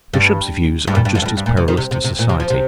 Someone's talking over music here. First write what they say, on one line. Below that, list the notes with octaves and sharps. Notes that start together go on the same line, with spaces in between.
The Bishop's views are just as perilous to society.
G2
G2
A#2
G2
F2
G2
F2
G2
A#2
C3
D#3
C3
C3
C3
A#2
C3
F3
C3